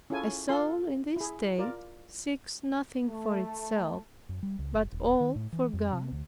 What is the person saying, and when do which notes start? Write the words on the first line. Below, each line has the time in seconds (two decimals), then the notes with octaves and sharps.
A soul in this state seeks nothing for itself, but all for God.
0.10 C#4 E4 F4 G#4 A4 G#5
0.49 F4 A4 C6
1.16 E4 G#4
1.59 F4 A#4 D5
3.08 A3
4.29 F#2
4.43 G3
4.59 C#2
4.75 F#1
4.92 D#1
5.20 D#3
5.36 A2
5.53 E3
5.73 F2
5.92 C3
6.12 D2